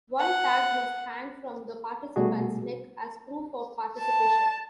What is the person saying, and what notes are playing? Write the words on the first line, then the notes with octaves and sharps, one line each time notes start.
One tag must hang from the participant's neck as proof of participation.
F#5
B2 G3 A3 F#4 G#4
A5